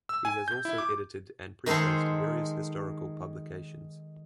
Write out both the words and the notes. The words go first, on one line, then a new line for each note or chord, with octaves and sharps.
He has also edited and prefaced various historical publications.
E6
G#5
G6
E4
D6
D#3 G#3 D#4 A4 C5